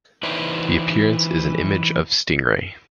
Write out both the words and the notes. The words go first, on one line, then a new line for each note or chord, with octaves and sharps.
The appearance is an image of Stingray.
E3 D#4 E4 B4 C5 D5